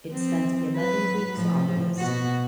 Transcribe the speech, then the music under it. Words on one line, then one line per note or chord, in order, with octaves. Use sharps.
It spent eleven weeks on the list.
F3 C4
F#3 B4
A2 F3
B2 F#4